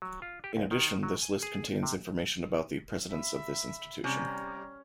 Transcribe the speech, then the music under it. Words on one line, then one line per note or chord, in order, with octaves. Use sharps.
In addition, this list contains information about the presidents of this institution.
F#3
F4
G4
C#2
D#3
F#3
G#5
G#4
C3
E5 B5
C3 G3 C#4 A#5